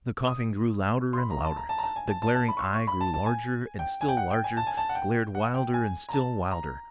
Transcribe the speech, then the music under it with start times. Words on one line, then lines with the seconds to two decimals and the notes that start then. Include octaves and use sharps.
The coughing grew louder and louder, the glaring eye grew larger and still larger, glared wilder and still wilder.
0.27 D#6
1.13 C6
1.18 B5
1.31 A#5
1.45 A5
1.57 A#5
1.69 A5
1.78 A#5
1.83 A5
1.96 G#5
2.09 A5
2.22 A5
2.35 A5
2.48 B5
2.57 C#6
2.61 C6
2.74 C#6
2.87 B5
3.01 A5
3.14 A5
3.26 G#5
3.79 G5
4.01 G#5
4.08 G5
4.17 F#5
4.31 G5
4.44 G#5
4.57 A5
4.67 G#5
4.77 A5
4.89 F#5
4.95 G5
5.35 F#5
5.54 G5
5.74 G#5
6.09 A#5
6.13 A5
6.51 A#5